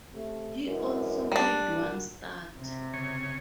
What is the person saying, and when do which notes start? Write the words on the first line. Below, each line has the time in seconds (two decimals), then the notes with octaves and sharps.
He also made one start.
0.14 C3 A3
0.64 F#2 E3 G#3
1.32 G3 D4
1.78 A#2 D3 F#4
2.58 C3
2.94 C#3 C#5